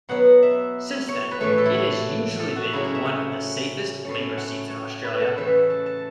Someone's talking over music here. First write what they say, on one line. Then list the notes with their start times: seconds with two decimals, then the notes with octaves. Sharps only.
Since then, it has usually been one of the safest Labor seats in Australia.
0.09 B2 F#3 B3 F#5
0.43 E5
1.09 C#5
1.31 B4
1.40 A2 E3 A3 C#5
1.58 A4
1.66 E4
1.74 F#4
2.40 A4
2.56 F#4
2.73 C#3 F#3 C#4 E4
2.85 C#5
2.95 E5
3.05 F#5
4.05 A2 A3 C#4
4.37 F#5
4.70 C#5
5.04 B4
5.21 A4
5.37 C#3 E3 A3 B4
5.47 E5
5.58 F#5
5.70 A5
5.86 A5